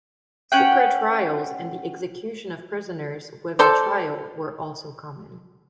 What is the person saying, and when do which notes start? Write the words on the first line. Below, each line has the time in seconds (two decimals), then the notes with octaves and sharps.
Secret trials and the execution of prisoners without trial were also common.
0.52 C#4 F#5 G5
3.59 A4 C5 D5